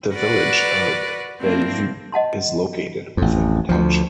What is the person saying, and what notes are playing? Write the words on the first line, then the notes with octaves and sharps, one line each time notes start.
The Village of Bellevue is located within the township.
F#4 A#4 B4 D5 F#5
F#3 A#3 C4 D4 E4
D#5 F#5 A5 C6
A1 F2
D2 F3